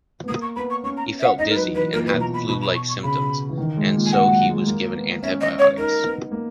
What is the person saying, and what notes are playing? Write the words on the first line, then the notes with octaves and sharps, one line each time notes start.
He felt dizzy and had flu-like symptoms, and so he was given antibiotics.
B3
A#3 D#6
C#6
B3 B5
C#6
C#4 C#6
A#5
E5
F#5
D#4 D#5
A#4
F#3 B4
E3 B4
A#2 A#4
B4
B2
A#2 A#5
B5
B2 B5
B5
C#6
C#6
C#3 B5
E3
D#3
G#3
A#2
G#5
A#2 F#5
F#3
G#3
A#3
B3
C#4 E5
D#5
C#5
D#4 A#4
B3
A#3